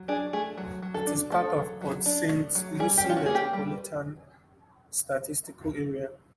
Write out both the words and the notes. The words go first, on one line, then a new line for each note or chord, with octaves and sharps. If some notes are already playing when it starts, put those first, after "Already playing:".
It is part of the Port Saint Lucie Metropolitan Statistical Area.
Already playing: F#3
D4 G#4
A3 G#4
F#3
F#3
A4
D4
A3 A4
F#3
F#3
D4
A3
F#3
G3 G#4
G4
C#4
F4
F#4
A#3 G#4
G4
G3